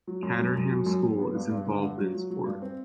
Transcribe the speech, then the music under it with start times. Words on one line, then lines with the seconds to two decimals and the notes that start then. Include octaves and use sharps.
Caterham School is involved in sport.
0.07 F#3
0.23 F#2
0.39 F#2
0.55 F#2
0.70 F#3
0.86 F#2
1.03 F#2
1.19 B3
1.35 G2
1.50 G2
1.66 D3
1.82 G2
1.97 F#3
2.15 F#3
2.30 F#3
2.46 G2
2.62 C4